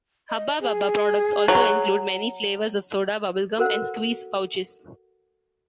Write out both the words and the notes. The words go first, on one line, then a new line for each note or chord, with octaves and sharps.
Hubba Bubba products also include many flavors of soda, bubble gum and squeeze pouches.
D#5
G#4
F#3
F#4 A4 A#4 C5 F#5